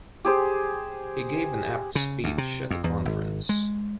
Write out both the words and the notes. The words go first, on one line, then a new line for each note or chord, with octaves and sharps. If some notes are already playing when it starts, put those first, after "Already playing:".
He gave an apt speech at the conference.
G4 G#4 C5
C#3
D2
C3
F2
E2
G#1
G#3